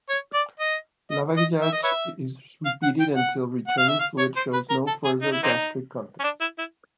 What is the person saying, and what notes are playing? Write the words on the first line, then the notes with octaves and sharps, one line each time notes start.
Lavage is repeated until the returning fluid shows no further gastric contents.
C#5
D5
D#5
D#5
D#5
E5
D#5
B4 C#5 E5
F5
F#5
G5
F#5
F#5
F5
E5
F5
C#5
C5
B4
A#4
A4
G#4
D#4
E4
A#3 C4 D#4
C#4
D4
E4
E4